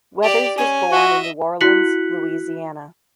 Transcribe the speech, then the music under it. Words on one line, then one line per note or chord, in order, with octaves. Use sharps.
Weathers was born in New Orleans, Louisiana.
G4 D5
C#4 G#5
F#4 D#5 E5
E4 F#4 F#6 B6 C#7 F#7